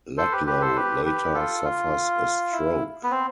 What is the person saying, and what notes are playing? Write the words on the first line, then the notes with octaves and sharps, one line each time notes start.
Ludlow later suffers a stroke.
A4 C5
G4 B4
G4 B4
A4 C5
G4 B4
G4 B4
F4 A4
F4
E4
B3
C4